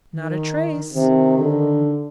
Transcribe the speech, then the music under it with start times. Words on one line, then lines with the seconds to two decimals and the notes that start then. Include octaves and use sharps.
"Not a trace."
0.13 D#3
0.94 C3 D#3
1.39 D3